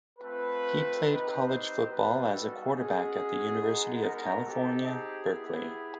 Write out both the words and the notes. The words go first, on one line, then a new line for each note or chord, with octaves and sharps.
He played college football as a quarterback at the University of California, Berkeley.
A3 C4 F4 B4
C4 D#4 G4 B4
C5
G3 B3 D#4 F#4 B4
A4
G#3 C#4 F#4 G#4
G#3 B3 D#4 F#4
A#4
C4 D#4 G4 A4
G#4
B3 E4 G4